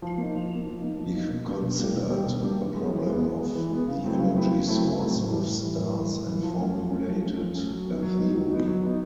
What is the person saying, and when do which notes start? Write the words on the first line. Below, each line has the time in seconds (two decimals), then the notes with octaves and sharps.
He considered the problem of the energy source of stars and formulated a theory.
0.02 F3
0.18 A#3 D#4
0.35 F3
0.51 A#3 D#4
0.66 F3
0.82 A#3 D#4
0.98 F3
1.14 A#3 D#4
1.30 B2
1.47 G3 A#3 D4 G4
1.62 B2
1.79 G3 A#3 D4 G4
1.94 B2
2.10 G3 A#3 D4 G4
2.26 B2
2.43 G3 A#3 D4 G4
2.58 E3
2.75 G#3 B3
2.91 E3
3.07 G#3 B3
3.22 E3
3.39 G#3 B3
3.55 E3
3.71 G#3 B3
3.87 C#3
4.03 F#3 A3 C4 E4
4.19 C#3
4.35 F#3 A3 C4 E4
4.50 C#3
4.66 F#3 A3 C4 E4
4.83 C#3
4.99 F#3 A3 C4 E4
5.15 A2
5.31 E3 G3
5.47 A2
5.63 E3 G3
5.78 A2
5.94 E3 G3
6.10 A2
6.26 E3 G3
6.43 F3
6.59 A3 C#4
6.75 F3
6.90 A3 C#4
7.07 F3
7.23 A3 C#4
7.39 F3
7.55 A3 C#4
7.70 F#3
7.87 B3 D#4
8.02 F#3
8.18 B3 D#4
8.35 F#3
8.50 B3 D#4
8.67 F#3
8.83 B3 D#4